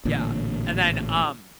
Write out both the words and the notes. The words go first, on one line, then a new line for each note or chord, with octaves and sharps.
Yeah, and then, um
A1 A#2 D3